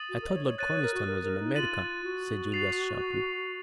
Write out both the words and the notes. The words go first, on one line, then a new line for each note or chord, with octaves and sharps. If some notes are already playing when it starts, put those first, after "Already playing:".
"I thought Lord Conniston was in America," said Julius, sharply.
Already playing: D#6 A6 D#7 F#7
F#4
A#4
D#5
C#5
C#5
C#5 F#6 A6 D#7
C#5
A#4
F#4
A#4
A#4
D#4
F4 A6 D#7 F#7
F#4
A6 C7 F7